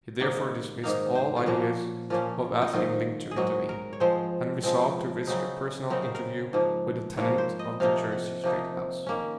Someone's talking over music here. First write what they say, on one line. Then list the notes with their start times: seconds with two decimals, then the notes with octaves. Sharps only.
He therefore dismissed all ideas of asking Link to intervene, and resolved to risk a personal interview with the tenant of the Jersey Street house.
0.20 G#2 D#3 A#3 D#4 F#5
0.83 G#2 D#3 A#3 D#4 F5
1.15 C5
1.36 F4
1.46 A#2 F3 A#3 C#4 F#4
2.10 A#2 F3 A#3 C#4 F4
2.62 D#4
2.73 G#2 D#3 F#3 F4
3.31 G#4
3.36 G#2 D#3 F#3 F#4
3.69 A#4
3.93 C#5
4.00 F3 G#3 C4 C5
4.63 F3 G#3 C4
5.27 C#3 F#3 C4 D#4
5.90 C#3 F#3 C4 D#4 A#4
6.02 C5
6.15 A#4
6.53 G#2 F3 A#3
7.17 G#2 F3 A#3 C#5
7.38 C5
7.59 D#5
7.80 C3 F3 A#3 D#4 F5
8.12 F#5
8.44 C3 F3 A#3 D#4
9.06 D#3 A#3 C#4